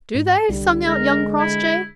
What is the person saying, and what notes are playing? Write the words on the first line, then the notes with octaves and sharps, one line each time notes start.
"Do they?" sung out young Crossjay.
G#2
C2 D3 G3
G#3 A#4
E4